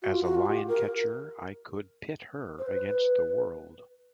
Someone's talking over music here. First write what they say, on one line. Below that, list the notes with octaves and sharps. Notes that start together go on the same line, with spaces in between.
As a lion-catcher, I could pit her against the world.
F#4
F4
F#4
F4
G4
A#4
C5
B4